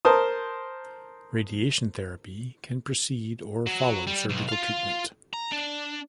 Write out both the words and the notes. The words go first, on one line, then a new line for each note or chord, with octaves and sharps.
Radiation therapy can precede or follow surgical treatment.
A#4 C5 A5 D#6
F#3
G3
B1
F4 F5
A#5
D4